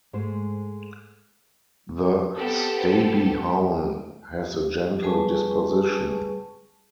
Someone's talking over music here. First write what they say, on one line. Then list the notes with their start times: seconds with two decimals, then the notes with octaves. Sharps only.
The Stabyhoun has a gentle disposition.
0.13 G#2 G#3 A3 C5
2.37 B3 C4 G4 A4
5.03 G3 G#4 B4 G#5 A5 C#6